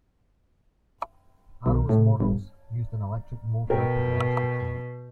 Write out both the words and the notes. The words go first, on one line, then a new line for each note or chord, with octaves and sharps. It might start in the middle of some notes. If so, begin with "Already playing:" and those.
Arrow's models used an electric motor to launch the train.
B1
A2
G1
B2 A#4 G5